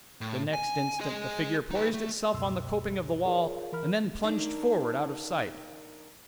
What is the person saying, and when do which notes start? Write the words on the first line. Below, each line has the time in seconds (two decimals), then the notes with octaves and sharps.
The next instant, the figure poised itself on the coping of the wall and then plunged forward out of sight.
0.21 A2
0.53 G#5
1.01 G#4 D#5
1.71 D#4 B4
1.94 A3
2.34 C#2 F#2 B2 C6 E6
3.25 F4 G#4 A#4 C#5 D5
3.72 E3 A#4 B5 F6
4.23 D#3 A#3 D4